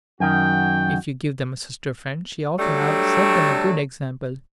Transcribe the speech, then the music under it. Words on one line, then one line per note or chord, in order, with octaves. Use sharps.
If you give them a sister-friend she ought to have set them a good example.
F#2 D#3 F#4 G5
F#3 G3 A3 D4 A4